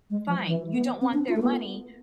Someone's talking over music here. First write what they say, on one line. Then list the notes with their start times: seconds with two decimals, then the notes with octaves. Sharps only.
fine. You don't want their money.
0.10 G#3
0.27 F3
0.47 E3
0.73 B3
1.01 C4
1.14 D4
1.28 F4
1.36 A3
1.42 B3